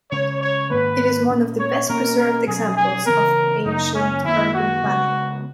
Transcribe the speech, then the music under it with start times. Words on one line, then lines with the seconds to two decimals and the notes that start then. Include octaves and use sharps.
It is one of the best preserved examples of ancient urban planning.
0.12 C#3 G#3 C#4 C#5
0.41 C#5
0.71 G#2 D#3 A#3 B4
1.30 A#2 A#3 C#4
1.59 C#5
1.89 B2 A#3 C#4 A#4
2.18 A#4
2.47 B2 F#3 C#4 G#4
2.77 G#4
3.06 C#3 E3 B3 A#4
3.65 F#2 C#3 F#3 A#3 D#4
3.95 C#4
4.24 F#2 D#3 A#3 E4
4.54 F#4
4.84 C#3 G#3 B3